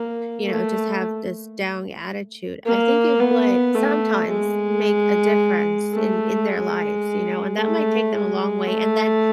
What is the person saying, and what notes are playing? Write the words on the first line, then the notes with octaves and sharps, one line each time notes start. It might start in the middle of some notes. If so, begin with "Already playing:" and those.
you know, just have this down attitude, I think it would- sometimes- make a difference in in their lives, you know, and that might take them a long way, and then
Already playing: A#3
A3
A#3
B3
A3
G#3
A3
G#3
A3
G#3
A3